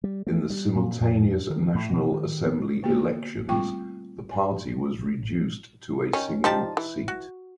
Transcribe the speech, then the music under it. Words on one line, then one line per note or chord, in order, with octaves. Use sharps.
In the simultaneous National Assembly elections, the party was reduced to a single seat.
G3
A3
G3
A#2
F2
D#3
A2
B2
D#3
B3
D3 A#3 B3 F#4
G3 A3 C4 F4 G5 C#6
G#5
D#3 C#4
F3 G3 D#4 G4 A5
E3
F#4